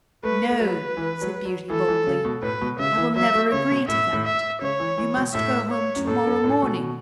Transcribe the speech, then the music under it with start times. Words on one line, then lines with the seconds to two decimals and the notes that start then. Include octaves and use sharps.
"No," said Beauty, boldly, "I will never agree to that; you must go home to-morrow morning."
0.23 A3 B4
0.50 A3
0.60 F#3 B4
0.97 E3
1.22 F#3
1.45 F#3
1.70 E3 A4
1.88 E3
2.07 C#3
2.25 B2
2.42 A2 B4
2.61 B2
2.79 C#3 E5
2.97 E3
3.15 F#3 E5
3.34 A3
3.52 C#3 C#5
3.71 B2
3.88 A2 E5
4.13 A2
4.25 E5
4.61 C#3 C#5
4.80 E3
4.98 E3
5.16 B2
5.34 A2 E5
5.71 C#5
5.96 F#2
6.07 A2 A4
6.26 F#2
6.44 A2
6.62 B2